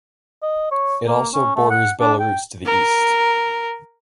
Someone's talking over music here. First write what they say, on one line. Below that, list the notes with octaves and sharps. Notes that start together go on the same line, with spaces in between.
It also borders Belarus to the east.
D#5
C#5
A#3
C#4
A3
F#5
D4
G5
A#4